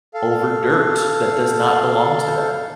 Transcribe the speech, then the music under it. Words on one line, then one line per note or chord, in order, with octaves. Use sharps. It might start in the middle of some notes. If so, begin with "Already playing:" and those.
over dirt that does not belong to them
A4 F5